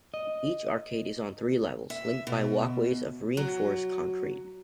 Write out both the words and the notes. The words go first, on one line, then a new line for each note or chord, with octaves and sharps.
Each arcade is on three levels, linked by walkways of reinforced concrete.
D#5
E5
B2
F#3